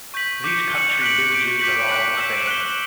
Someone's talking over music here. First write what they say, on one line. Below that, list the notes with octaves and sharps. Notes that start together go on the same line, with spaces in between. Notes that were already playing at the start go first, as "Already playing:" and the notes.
These country binges are all the same.
C#6 G6 B6 F#7
D6 G6 C#7
F#6 C#7 F#7
F#6 B6 D7 F#7
C#6 G6 D7
D6 G6 B6 F#7
D6 F#6 B6 D7 F#7
E6 G6 B6 E7
F#6 B6 E7 G7